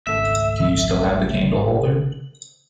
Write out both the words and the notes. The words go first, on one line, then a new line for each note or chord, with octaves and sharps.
Do you still have the candle holder?
G#1 C#2 A3 E5